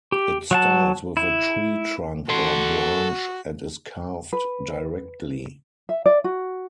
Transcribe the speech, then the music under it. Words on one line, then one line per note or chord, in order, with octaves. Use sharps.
It starts with a tree trunk or branch and is carved directly.
G4
F#3 F#5 A5
E4
F#4 A4 C6
B4
E5
D5
F#4